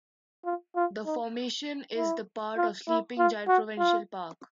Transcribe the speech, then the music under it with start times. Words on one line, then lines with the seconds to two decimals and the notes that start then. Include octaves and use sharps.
The formation is part of Sleeping Giant Provincial Park.
0.45 F4
0.76 F4
1.06 D#4
1.97 E4
2.57 F4
2.88 E4
3.18 F4
3.48 F#4
3.78 F4